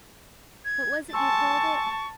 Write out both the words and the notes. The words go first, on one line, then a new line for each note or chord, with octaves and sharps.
What was it you called it?
G#6
G#5 A5 C6 C#6 E6